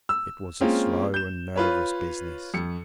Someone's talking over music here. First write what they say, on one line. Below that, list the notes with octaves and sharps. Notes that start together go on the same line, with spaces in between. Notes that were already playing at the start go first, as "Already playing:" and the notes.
It was a slow and nervous business.
E6
G#3 A#3 C4 C#4 F4
G6 E7
F4 B4 C#5
F2 C#7